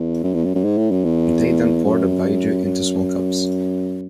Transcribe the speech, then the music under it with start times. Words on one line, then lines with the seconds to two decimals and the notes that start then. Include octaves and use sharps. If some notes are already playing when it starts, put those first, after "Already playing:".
They then pour the "baijiu" into small cups.
Already playing: E2
0.24 F#2
0.34 E2
0.44 F#2
0.55 F#2
0.64 G#2
0.77 A2
0.91 F#2
1.04 E2
1.85 F#2
2.65 F#2